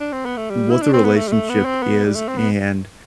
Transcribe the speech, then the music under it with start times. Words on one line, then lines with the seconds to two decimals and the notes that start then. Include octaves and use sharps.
what the relationship is and,
0.00 D4
0.12 C4
0.26 B3
0.37 A3
0.50 G3
0.71 E4
0.82 D4
0.93 C4
1.05 B3
1.16 A3
1.28 G3
1.32 A3
1.50 B3
1.65 C4
1.83 B3
2.05 G3
2.15 A3
2.28 C4
2.38 B3